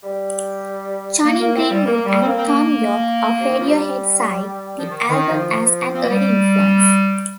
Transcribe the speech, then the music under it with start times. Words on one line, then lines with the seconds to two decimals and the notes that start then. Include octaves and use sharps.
Jonny Greenwood and Thom Yorke of Radiohead cite the album as an early influence.
0.03 G3
1.25 A#3
1.40 A#3
1.55 C4
1.71 G3
1.86 A#3
2.06 G3
2.22 C4
2.27 A#3
2.37 C4
2.47 A#3
3.40 C3
3.49 D#3
3.59 F3
3.68 G3
4.78 F3
4.89 D#3
5.09 D#3
5.29 F3
5.94 C4
6.02 A#3
6.10 G3